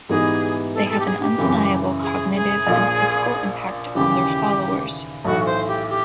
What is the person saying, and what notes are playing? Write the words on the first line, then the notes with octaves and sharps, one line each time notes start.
They have an undeniable cognitive and physical impact on their followers.
G#2 E3 G3 B3 D#4 G#4
A4
G#4
A4
G4
G#4
G4
F#2 C#3 E3
G#4
G#4
A#1 A#2 F3
D#2 C#3 E3 G4
B1 A2 E3 A3 F#4
C5
G4
G4